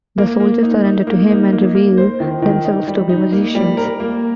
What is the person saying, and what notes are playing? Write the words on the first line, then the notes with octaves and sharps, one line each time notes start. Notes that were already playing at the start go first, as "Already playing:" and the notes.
The soldiers surrender to him and reveal themselves to be musicians.
A#3
A#3
D#4
D#4
A#3
D#4
A#3
A#3
C5
D#3
D#3
D#4
G3
D#4
A#3
G3
A#4
A#3